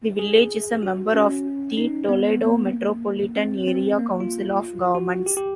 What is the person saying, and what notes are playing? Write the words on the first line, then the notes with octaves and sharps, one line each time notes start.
The village is a member of the Toledo Metropolitan Area Council of Governments.
G#4
F#4
C#4
D#4
B3
A#3
C4
C4
A#3
F4
F#4
G4
G4